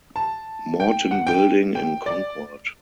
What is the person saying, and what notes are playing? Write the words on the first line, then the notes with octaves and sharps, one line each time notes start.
Morton Building in Concord.
A5
G5
F#5
G5
G5
D5